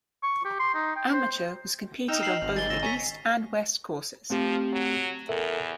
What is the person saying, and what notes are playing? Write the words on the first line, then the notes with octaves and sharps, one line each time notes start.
Amateur was competed on both the East and West Courses.
C#6
G4
C6
D#4
G5
C5
D#4 D#5 G5 E6 F6
C7 F#7
G#1 F6
G3 G#4 A6 G7
C#3 E6 A#6
C#5 G#5 A#5 B6
F3 A3 C4 G4
F#3
E2 A4 A#4 E5